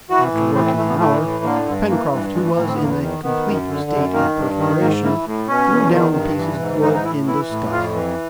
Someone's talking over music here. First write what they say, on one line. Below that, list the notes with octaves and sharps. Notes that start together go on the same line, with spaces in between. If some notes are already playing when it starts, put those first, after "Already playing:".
After working an hour, Pencroft, who was in a complete state of perspiration, threw down the pieces of wood in disgust.
E3 F#4
A2
E3 C4
C4
A2 A3
B3
E3 A3
A2
D3 A#3
G2
E3 A#3
G2
E3 G#3
A3
A2 A#3
C4
B3
E2 A#3
B3
D#3
D#3 B3
F#2
D3
F#2
D#3 A#3
G2
D#3
G#2 A#3
E3 A#3
A2
B2 C#4
E2
D#3
G2
E3
G#2
E3 D#4
D#4
A2 E4
E3 E4
A2
F2 F4
E3